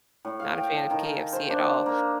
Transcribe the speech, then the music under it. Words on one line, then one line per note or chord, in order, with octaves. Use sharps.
not a fan of KFC at all,
A2
F5
G5
A5
D#3
G#5
C5
D4
A#3